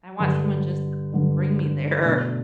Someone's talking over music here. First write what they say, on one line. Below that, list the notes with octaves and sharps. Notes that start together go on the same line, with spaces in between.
I want someone just to bring me there
G2 D3 G3 D4 B5
G2 D3 G3 D4
B2 A3 D4